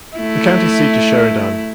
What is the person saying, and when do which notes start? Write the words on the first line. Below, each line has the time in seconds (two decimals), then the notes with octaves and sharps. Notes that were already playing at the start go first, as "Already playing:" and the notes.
The county seat is Sheridan.
0.17 A3 E4